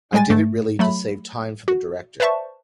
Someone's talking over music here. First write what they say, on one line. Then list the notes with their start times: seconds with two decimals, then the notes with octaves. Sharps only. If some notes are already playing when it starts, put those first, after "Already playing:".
I did it really to save time for the director.
0.13 G3 G#3 G5 G#5 A6
0.30 G#2 A3
0.79 F#3 A3 B5
1.68 F#4
2.20 B4 C5 D5 E5 A5 C#6